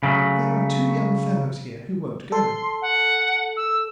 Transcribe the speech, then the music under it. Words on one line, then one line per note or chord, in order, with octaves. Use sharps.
"There are two young fellows here who won't go."
C#3 F#3 A3
A4 C6
F#5
E6